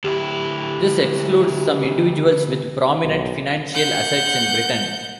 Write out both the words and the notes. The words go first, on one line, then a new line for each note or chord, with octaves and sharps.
This excludes some individuals with prominent financial assets in Britain.
D2 E4 G4
B1
F#5 G6